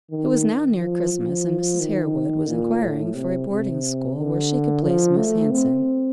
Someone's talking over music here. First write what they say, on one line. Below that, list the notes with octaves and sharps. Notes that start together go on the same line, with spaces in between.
It was now near Christmas, and Mrs. Harewood was inquiring for a boarding-school where she could place Miss Hanson.
D#3
F3
F3
D#3
A#2
A2
C3
C3
D3
F3
A3
C4